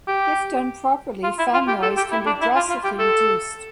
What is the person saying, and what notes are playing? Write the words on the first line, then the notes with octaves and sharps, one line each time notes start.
If done properly fan noise can be drastically reduced.
G4
F4
E4
F4
G4
A4
G4
E4
D4
E4
F4
F4
G4
A4